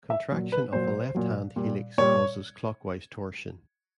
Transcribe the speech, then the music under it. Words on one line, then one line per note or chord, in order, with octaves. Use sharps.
Contraction of a left-hand helix causes clockwise torsion.
E5
A#2 F#3
B4
A#2 F#3 C5
A#2 F#3
A#2 G3
A#2 G3 C#5